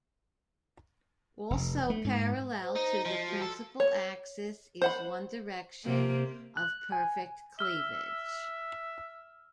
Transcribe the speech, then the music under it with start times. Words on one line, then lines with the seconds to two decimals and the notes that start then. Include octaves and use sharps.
Also parallel to the principal axis is one direction of perfect cleavage.
1.50 F1
1.90 A3
2.05 G#2
2.62 C5
2.76 D#4
3.05 F3 D#5
3.28 F#4
3.42 A4
3.80 C#5
4.82 C5 F#5 B5
5.85 C3 A#3 C4
6.57 F#6
6.92 G#5
7.59 E5 E6 F6 G7